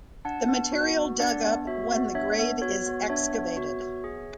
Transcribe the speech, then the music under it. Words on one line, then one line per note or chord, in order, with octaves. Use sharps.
The material dug up when the grave is excavated.
D4 F#5 A5
B3
F#4
B3
D4 D5 F#5
B3
F#4 C#5 E5
B3
D4 C#5 E5
B3
F#4 C#5
B3
D4 C#5 E5
B3
F#4
B3
G#4